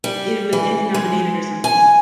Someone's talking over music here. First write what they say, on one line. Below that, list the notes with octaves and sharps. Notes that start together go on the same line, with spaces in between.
It was Emmy nominated or something,
G3
E3
G#3
G#5